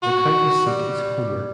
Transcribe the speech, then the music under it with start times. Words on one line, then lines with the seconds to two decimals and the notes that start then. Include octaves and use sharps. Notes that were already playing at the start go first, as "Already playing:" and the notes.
The county seat is Homer.
0.02 F#4
0.66 G3